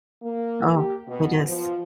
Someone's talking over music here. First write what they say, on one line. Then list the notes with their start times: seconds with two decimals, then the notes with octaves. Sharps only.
Oh, it is.
0.22 A#3
0.74 G4
1.08 B2
1.46 F3